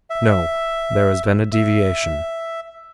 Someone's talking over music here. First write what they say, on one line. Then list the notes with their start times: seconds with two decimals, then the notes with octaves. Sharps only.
No, there has been a deviation.
0.10 E5
1.53 E5